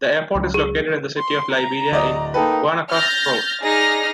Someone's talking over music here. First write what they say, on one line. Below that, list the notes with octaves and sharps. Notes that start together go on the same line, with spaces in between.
The airport is located in the city of Liberia in Guanacaste Province.
C#2 F#3
G#4
C6
A#5
D1 D5 D#5
A#3 D#4 A4 B4 G5
F6 G6 A6 A#6
D#4 G#4 D5 D#5 F6 A#6